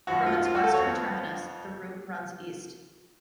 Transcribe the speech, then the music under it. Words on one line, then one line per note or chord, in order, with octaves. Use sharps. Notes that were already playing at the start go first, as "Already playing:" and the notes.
From its western terminus, the route runs east.
G#1 F#2 F3 F#4
F4
F4
F#4
A4
C#5
F2 F3 B3